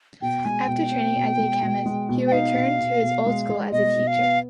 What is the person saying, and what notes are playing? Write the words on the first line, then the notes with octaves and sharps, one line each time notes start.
After training as a chemist, he returned to his old school as a teacher.
B2 G5
G#3 G#5
B2 G5
C4
B2
G#3
B2
G#3
B2
G5
D#4 F5
B2
B2
B2
G#3
G#3
B2 D#5
B2
F5
B3